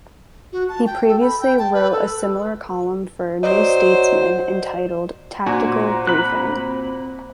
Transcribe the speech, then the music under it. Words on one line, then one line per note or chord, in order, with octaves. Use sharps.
He previously wrote a similar column for "New Statesman", entitled 'Tactical Briefing'.
F#4
A5
G5
A4
B5
G5
A5
B4
A4
F#3 C5 D5 D#5
A#2 F#4 C5 G#5 A#5 C6
C4 B5 F#6